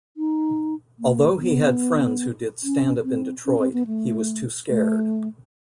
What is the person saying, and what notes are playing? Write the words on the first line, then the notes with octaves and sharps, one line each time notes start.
Although he had friends who did stand-up in Detroit, he was too scared.
D#4
A#3
B3
C#4
C4
C#4
C4
B3
A3
A3